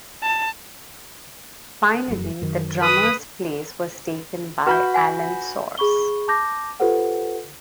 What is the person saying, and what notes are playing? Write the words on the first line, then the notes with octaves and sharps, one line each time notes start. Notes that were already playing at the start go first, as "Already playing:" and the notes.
Finally, the drummer's place was taken by Alan Sors.
A5
F1 F#2
F#2 D#3
B4 D#6
F#4 B4 B5 G6
F#5 G#5
G#4 B5 C#6 G7
A5 D6 G6 A#6
F4 G4 A4 B4 C5 F#5